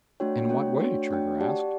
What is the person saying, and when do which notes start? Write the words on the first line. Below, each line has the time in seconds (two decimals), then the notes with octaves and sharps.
"In what way?" Trigger asked.
0.20 A3 D4 F#4 C#5 G5
0.49 A3 D4 F#4 C#5 G5
0.80 A3 D4 F#4 C#5 G5
1.10 A3 D4 F#4 C#5 G5
1.40 G4 D5 F#5 A5